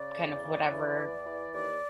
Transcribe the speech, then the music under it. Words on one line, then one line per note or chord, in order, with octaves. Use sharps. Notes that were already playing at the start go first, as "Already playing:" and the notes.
kind of whatever
Already playing: C#3 D5
E2
C#3
E3
E2
E3
D#2 D5